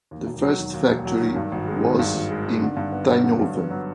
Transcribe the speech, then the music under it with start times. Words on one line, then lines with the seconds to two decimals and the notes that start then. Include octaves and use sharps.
The first factory was in Tienhoven.
0.11 D#2
0.27 E1
0.43 F#3
0.58 D#3
0.74 D#2
0.90 E1
1.05 F#3
1.21 D#3
1.36 G2
1.52 G#1
1.67 G#3
1.83 D#3
1.99 G2
2.14 G#1
2.30 G#3
2.46 D#3
2.62 D3
2.77 G2
2.92 B3
3.08 F#3
3.24 D3
3.39 G2
3.55 B3
3.71 F#3